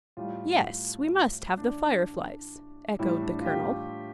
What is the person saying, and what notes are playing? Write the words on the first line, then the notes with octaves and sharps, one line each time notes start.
"Yes, we must have the Fireflies," echoed the colonel.
A2 G3 F4
D4
A2 G3 E4
D4
F4
G4